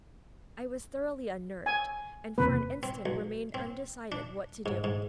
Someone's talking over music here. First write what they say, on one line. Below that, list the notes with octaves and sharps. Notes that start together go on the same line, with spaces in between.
I was thoroughly unnerved, and for an instant remained undecided what to do.
G#5
E2 C3 A#3 B4
C4
B1
C4
D4
G#2
G#2